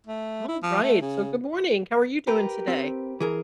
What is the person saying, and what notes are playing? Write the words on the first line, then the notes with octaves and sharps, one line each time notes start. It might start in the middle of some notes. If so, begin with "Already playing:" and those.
Alright, so good morning, how are you doing today?
A3
E4
F3
A3
C#3
G4 A#4 B4
C4
E3 G#4 A#4